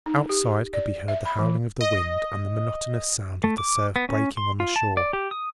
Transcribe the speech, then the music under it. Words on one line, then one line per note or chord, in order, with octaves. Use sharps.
Outside could be heard the howling of the wind and the monotonous sound of the surf breaking on the shore.
D#4
G4
D5
E5
B5
E3
D#5
A3
D6
B3
C#4
C6
F4
A5
D5
G4
D#6